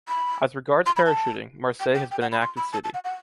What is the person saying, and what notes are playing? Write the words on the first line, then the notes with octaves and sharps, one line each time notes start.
As regards parachuting, Marseille has been an active city.
B5
C6
B5
A5
G5
G5
G5
F#5
B5
C6
B5
A5
A5
F#5
F#5